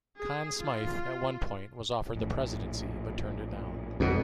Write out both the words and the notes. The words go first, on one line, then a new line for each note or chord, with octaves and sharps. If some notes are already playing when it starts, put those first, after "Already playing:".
Conn Smythe, at one point, was offered the presidency, but turned it down.
G#4
F4
A#1 A2
G1 F2 B2 G#3